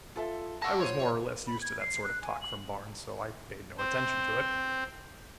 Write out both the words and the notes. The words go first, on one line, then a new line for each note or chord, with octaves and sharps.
I was more or less used to that sort of talk from Barnes so I paid no attention to it.
F4 A4 E5
F#5 A5 C#6 E6 A#6
F4 C5 C#5 D#7
B5
G#6
C7
F#6
G#5
F#7
C4 C5